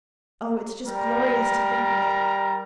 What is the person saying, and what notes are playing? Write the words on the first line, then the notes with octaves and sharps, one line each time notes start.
Oh, it's just glorious to think of it.
G3 A#4 A#5